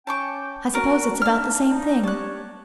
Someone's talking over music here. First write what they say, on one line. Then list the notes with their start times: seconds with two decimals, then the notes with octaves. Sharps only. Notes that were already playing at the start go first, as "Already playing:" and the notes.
I suppose it's about the same thing.
0.07 C#4 G5 A5 C#6 D6
0.74 F#4 A#4 A5
1.22 D4 D#4 E5 A5 F6
1.71 D4 D#4
2.03 D4 G4 C#5 A5 F#6